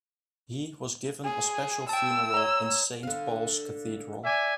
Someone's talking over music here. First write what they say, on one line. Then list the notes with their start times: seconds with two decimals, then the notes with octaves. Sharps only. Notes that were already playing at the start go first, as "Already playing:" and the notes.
He was given a special funeral in Saint Paul's Cathedral.
1.24 G#4
1.89 G5 A5 E6
2.34 C#5 A#5
3.03 D3 F5
4.23 D5 E5 G#5